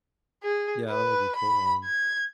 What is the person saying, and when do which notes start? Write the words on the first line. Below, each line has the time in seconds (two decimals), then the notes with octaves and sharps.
Yeah, that would be cool, um,
0.43 G#4
0.90 B4
1.36 B5
1.85 G#6